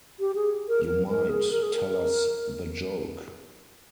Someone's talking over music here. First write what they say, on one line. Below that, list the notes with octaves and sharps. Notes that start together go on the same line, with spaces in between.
You might tell us the joke.
G4
G#4
A#4
A#4
A#4
G#4
A#4
G#4
A#4